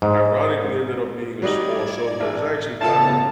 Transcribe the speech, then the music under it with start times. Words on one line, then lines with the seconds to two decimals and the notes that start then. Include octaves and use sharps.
ironically ended up being a small show, but it was actually kind of,
0.02 G#2
1.42 F#3 G3 D#4 D5 G#6
2.20 A1
2.81 A1 C#3 B3 F4 A4 A5 A#5